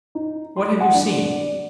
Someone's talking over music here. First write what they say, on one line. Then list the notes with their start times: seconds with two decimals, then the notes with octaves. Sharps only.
"What have you seen?"
0.15 D#4
0.56 C6
0.81 F#5
0.94 D4